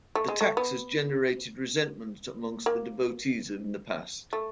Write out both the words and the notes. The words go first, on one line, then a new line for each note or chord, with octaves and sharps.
The tax has generated resentment amongst the devotees in the past.
A3
G#3
A3
B3
A#3
A3